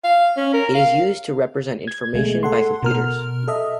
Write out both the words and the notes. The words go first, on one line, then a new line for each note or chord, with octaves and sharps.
It is used to represent information by computers.
F5
C#4
A#4
F5
G#6
B2 G#3 A3
A4 F#5 C6
B2 A#4 F6
A4 D#5 E5